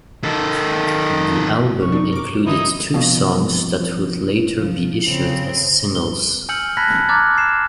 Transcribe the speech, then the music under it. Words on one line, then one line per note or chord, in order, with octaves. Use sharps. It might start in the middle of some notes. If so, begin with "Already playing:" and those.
The album included two songs that would later be issued as singles.
D#3 A4
G#1 C#6
D4 D#4
A#4 D6
D3 E3 D#4 E4 D#5
F2 B2
F3
C#3 C4
G7
G#5 E6 F6 G6 C#7 F#7
A5 B5 F#6 G#6 A#6 B6
A#5 D6 F6 F#6 G#6 A6
C7 E7